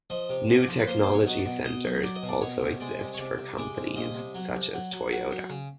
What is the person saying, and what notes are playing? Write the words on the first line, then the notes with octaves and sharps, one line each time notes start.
New technology centres also exist for companies such as Toyota.
F3 D#5
C3
C2 D#5
D5
F3
B4
A#3 C5
B2 C5
C#5
F#3 D#5
D5
B2
B2 D#5
F#3
F#3 D5
D#5
B2
D5
B2 C#5
C2
G#3 D5
C2
C#5
C2 D5
C2
G#3 D5
C2
A#2 D#5
C2
F#3
C2
F#3
F#3
F#3
F#3
C#3